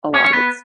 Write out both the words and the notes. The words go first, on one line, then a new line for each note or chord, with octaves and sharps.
a lot of it's,
C#4 C#5
C#5
B3 B4